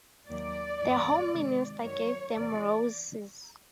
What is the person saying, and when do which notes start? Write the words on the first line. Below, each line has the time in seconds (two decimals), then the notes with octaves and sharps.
The Home Minister gave them roses.
0.28 D#2 D#3 F#3 A#3 D5
0.81 G2 E3 G#3 B3
1.32 C3 D#3 G#3
1.83 F#2 D#3 F#3 C#5
2.36 E2 C3 E3 D5